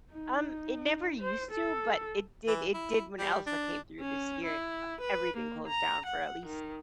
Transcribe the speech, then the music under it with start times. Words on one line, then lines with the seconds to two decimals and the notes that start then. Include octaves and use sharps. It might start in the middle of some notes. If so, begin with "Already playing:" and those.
Um, it never used to, but it did it did when Elsa came through this year, uh, everything closed down for at least
0.13 D#4
1.20 C5
1.51 A4
2.48 E3
2.74 E4
3.19 G3
3.46 D4
4.00 C#4
4.45 E4
5.01 B4
5.37 A#3
5.68 A#5
6.06 F#5
6.46 D#3